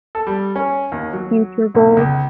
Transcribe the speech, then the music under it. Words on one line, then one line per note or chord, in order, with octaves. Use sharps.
future goals,
A4
G3
C#4
D#2
F#3
B1
C#2